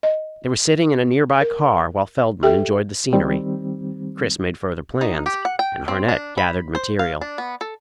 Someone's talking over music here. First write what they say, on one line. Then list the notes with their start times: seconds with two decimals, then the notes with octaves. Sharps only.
They were sitting in a nearby car while Feldman enjoyed the scenery, Chris made further plans, and Harnett gathered material.
0.03 D#5
1.41 A#4
2.43 G4 A4 E5 G5
3.13 D#3 G3 C4
5.01 D#4
5.26 G4
5.45 F#5
5.59 G5
5.88 C4
6.09 D4
6.38 B5
6.75 C5
6.99 F5
7.21 D4
7.38 B3
7.61 A4